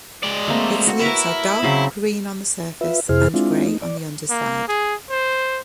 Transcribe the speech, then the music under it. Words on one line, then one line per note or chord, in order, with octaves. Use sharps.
Its leaves are dark green on the surface and grey on the underside.
G#3 D5
A3 A#3 C4
F#4
E4 A#4 B4 C#5
C#3 F#3 C4
F4 B4 E5
F2 C3 E4 G#4 C5 F6
G#3 C4 D4 E4 F4
A3 D#4
D5
A#3
G#4
C5